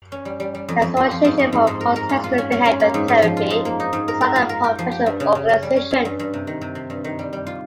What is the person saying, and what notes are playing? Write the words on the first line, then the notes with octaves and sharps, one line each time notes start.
The Association for Contextual Behavior Therapy is another professional organization.
C#4
G3
G3
G3
F2
F2
F3
F3
G#2
G#2
G#2
G#2
A#4
A#4
F4
F4
C#4
C#4
C#4
A#3
G#2
G#2
F3
F4
G#2
A#3
D#4
G#2
A#4
A#4
F4
A#4
G4
F3
G4
G2
C#3
C#3
C#4
G3
C#4
G2
G2
G2
C3
D#3
C3
C3
G2
D#3
G3
G3
F4